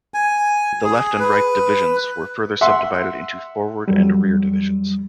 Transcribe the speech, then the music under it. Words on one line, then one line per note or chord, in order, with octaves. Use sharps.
The Left and Right divisions were further subdivided into Forward and Rear divisions.
G#5
G#4
B4
E5 F#5 C6
F2 F#3 G3